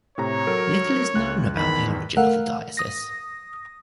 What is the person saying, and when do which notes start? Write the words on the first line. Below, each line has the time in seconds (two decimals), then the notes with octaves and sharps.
Little is known about the origin of the diocese.
0.18 A2 C3 C#5 A#5
0.47 F#3 A4 A#4
1.15 C#2 F#6
1.57 E2 D#3 B5
2.17 A3 A#4 F5 F#5
2.77 D#6 A#6